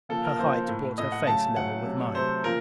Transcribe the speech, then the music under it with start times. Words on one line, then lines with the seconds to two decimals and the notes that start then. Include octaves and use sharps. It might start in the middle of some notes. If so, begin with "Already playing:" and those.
Her height brought her face level with mine.
0.09 C#3 F3 A#3 A4
0.25 A#4
0.39 C#3 F3 A#3 C5
0.68 A2 A3
0.98 A2 A3 D#5
1.12 F#5
1.27 C#3 F#3 A3 A5
1.56 C#3 F#3 A3 F#5
1.85 C3 F#3 A3
2.14 C3 F#3 A3 C5
2.44 C#3 F3 A#3 A#4